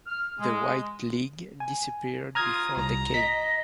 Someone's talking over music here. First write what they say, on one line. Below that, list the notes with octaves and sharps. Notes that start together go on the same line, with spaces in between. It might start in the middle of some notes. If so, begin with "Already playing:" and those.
The White League disappeared before they came.
F6
G#3
G#5
F4 A#5 D#6 F6 G#6
C2 A#5
D#5 B6